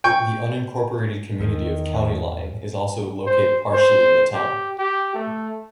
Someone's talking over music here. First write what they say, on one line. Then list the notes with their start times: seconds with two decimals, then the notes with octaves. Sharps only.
The unincorporated community of County Line is also located partially in the town.
0.04 G5 C#6
1.40 E2 D#3
3.26 C5
3.73 C5
4.34 G4
4.78 G4
5.14 A3